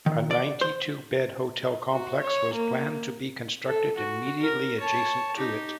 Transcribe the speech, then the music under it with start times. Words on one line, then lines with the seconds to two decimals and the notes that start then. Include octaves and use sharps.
A ninety-two bed hotel complex was planned to be constructed immediately adjacent to it.
0.06 D#3
0.31 D5
0.61 C5
1.92 F#4
2.22 C#5
2.54 A#3
3.65 A4
3.96 F#4
4.40 A#4
4.80 C#5 A5
5.37 D#4 G4